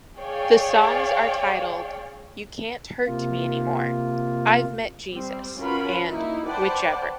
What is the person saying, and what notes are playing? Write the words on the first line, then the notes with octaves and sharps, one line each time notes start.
The songs are titled "You Can't Hurt Me Anymore", "I've Met Jesus" and "Whichever".
G#4 C#5 D5 F5 G5
C3 A#3 F4
G3 C4
C#4 F4 F#4 A#4 B4 B5
A#3 D#4 E4
B4 C5 D5 F#5 G5 A5